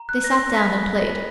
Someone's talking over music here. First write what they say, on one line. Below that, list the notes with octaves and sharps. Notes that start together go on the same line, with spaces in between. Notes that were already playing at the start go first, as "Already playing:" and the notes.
They sat down and played.
Already playing: A#5
F#6
A#6
B5 B6